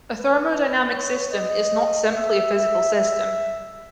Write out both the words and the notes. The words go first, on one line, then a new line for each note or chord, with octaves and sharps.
A thermodynamic system is not simply a physical system.
B4
C#5
D#5
E5
E5
E5